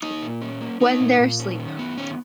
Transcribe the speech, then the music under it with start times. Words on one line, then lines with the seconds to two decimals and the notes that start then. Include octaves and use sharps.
When They're Asleep.
0.03 A#3 D#4
0.22 A#2
0.41 C#4
0.61 A#3
0.81 A#3 D#4
1.00 A#2
1.20 A#2
1.40 C#4
1.59 D#3
1.79 B3
1.98 D#3 C#4